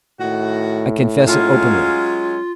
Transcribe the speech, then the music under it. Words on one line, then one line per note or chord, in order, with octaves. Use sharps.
I confess it openly.
A2 D#3 F#4
F#3 G#3 C#4 F4 F5